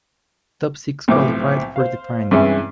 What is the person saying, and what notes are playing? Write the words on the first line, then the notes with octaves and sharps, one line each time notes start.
Top six qualified for the final.
B1 A2 C3 F3 C5 D6
C5 F5
G2 C3 E3 G#3 C#4 E4